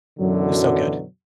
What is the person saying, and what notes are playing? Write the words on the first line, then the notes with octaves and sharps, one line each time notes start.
It was so good.
F#2 B2 D3 E3 F#3